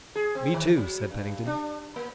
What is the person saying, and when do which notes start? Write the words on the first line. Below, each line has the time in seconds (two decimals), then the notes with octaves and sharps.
"Me, too," said Pennington.
0.16 G#4
0.35 C4
0.54 D#3
0.77 F#3
1.11 G2
1.47 D4
1.96 A#3